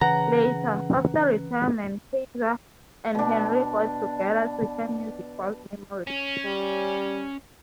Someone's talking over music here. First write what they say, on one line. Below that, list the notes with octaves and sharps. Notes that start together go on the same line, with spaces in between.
Later, after retirement, Kyser and Henry got together to share music world memories.
C#3 E3 B4 F#5 A#5
B2 D4
C#4
G3